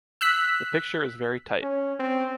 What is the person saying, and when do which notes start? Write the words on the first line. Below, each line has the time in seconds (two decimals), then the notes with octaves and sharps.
The picture is very tight.
0.21 E6 F#6 B6
1.62 C#4
2.00 C4